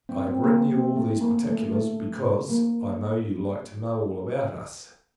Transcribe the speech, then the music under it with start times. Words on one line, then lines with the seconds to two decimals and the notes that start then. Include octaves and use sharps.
I have written you all these particulars; because, I know, you like to know all about us.
0.09 C4
0.27 C4
0.44 A#3
0.57 A#3
0.70 C4
0.96 A3
1.21 A#3
1.47 A3
1.72 A3
2.50 A#3